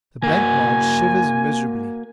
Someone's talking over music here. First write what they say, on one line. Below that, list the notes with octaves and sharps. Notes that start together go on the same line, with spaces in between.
The blancmange shivers miserably.
A#3 F#4 G#5